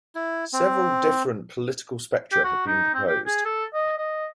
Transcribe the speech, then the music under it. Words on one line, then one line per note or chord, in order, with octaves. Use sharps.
Several different political spectra have been proposed.
E4
C4
G4
F#4
D#4
C4
G4
G#4
A4
D#5
D#5